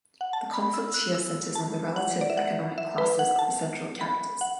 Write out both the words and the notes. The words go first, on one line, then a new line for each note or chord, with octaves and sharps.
The conflict here centres on the relative economic classes of the central characters.
F#5
A5
B5
E6
F#6
E6
A5
F#5
D5
E5
F#5
E5
B4
F#5
A5
B5
F#5